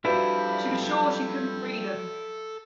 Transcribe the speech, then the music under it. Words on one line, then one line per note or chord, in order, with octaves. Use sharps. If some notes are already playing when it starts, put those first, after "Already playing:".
She was sure she could not free them.
F3 G3 D4 E4 F#4 A4 B4 F5